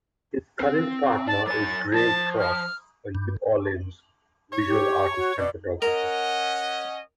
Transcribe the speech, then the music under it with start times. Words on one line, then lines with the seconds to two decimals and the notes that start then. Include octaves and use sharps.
His current partner is Grey Cross, a New Orleans visual artist and photographer.
0.60 C4
1.27 D5 A5
1.47 F#3 G#5 A6
1.93 F3 A5
2.39 F6
3.15 G2
4.52 C#5
4.68 G4
5.16 F#4
5.38 B2 D5
5.82 C#4 A#4 D#5 F#5